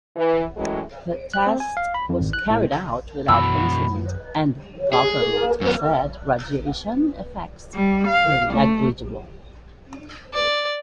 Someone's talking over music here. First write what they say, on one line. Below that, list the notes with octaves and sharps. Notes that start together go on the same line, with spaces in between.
The test was carried out without incident, and government said radiation effects were negligible.
E3
F#2 A2 E3 F#3 G#3
F#6
C4
G#5
F5
B5
F2
G#1
F#6
A2
F#2 B2 D#3 E3 A3 F#4 B5 E6
G#4
F#2 B3
G3
F5
A3
D5